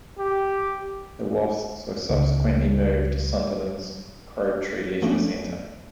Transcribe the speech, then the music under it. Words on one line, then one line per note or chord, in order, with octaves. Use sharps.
The Wasps were subsequently moved to Sunderland's Crowtree Leisure Centre.
G4
C#2
F3 A3 B3 C#4 D4